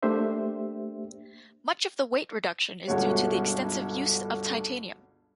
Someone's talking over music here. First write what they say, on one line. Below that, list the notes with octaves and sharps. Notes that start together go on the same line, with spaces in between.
Much of the weight reduction is due to the extensive use of titanium.
A3 A#3 D4 G4 C5 E5
G1 C#2 B2 D3 F#4 C#5